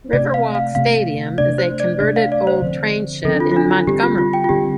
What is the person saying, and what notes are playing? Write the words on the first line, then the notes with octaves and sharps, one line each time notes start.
Riverwalk Stadium is a converted old train shed in Montgomery.
C3 A3 C4 D5
F5
F5
C3 A3 C4 F5
C3 A3 D4 D5
C5
D5
C3 A3 D4 D5
F5
D5
C5
D3 F3 C4
D3 F3 C4 A4
D4
F4
F4
D4
F4
D3 G3 C4 G4
F4
F4
G5
F4
D3 G3 C4 G4